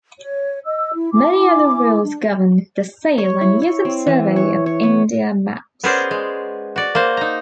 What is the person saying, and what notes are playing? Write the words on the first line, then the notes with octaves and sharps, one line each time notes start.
Many other rules govern the sale and use of Survey of India maps.
C#5
D#5 E6
E4
E4 G#5 D6
D4
C#5
E4
C#5
C4
E3
C#5
C#5
B3
B3 C#4 G#4 A#4 C5 D5
G#3
F#4 D5
A#3 C5
D#4 A#5